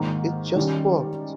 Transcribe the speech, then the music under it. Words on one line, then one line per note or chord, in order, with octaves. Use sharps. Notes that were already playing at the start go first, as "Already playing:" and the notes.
It just worked.
Already playing: G#2 D#3 A#3
D#3 G3 C#4